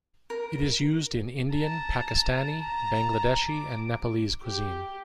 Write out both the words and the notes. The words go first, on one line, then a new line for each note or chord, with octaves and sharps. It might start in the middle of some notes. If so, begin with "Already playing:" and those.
It is used in Indian, Pakistani, Bangladeshi, and Nepalese cuisine.
A#4
A5 A#5
A5 A#5
D6
G4